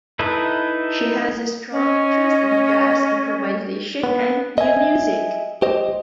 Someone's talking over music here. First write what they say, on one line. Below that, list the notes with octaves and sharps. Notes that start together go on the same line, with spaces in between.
She has a strong interest in jazz, improvisation, and new music.
D#4 E4 A4 B4
C#4 D#5
B3
D#5 E5 G#5
G4 C5 D#5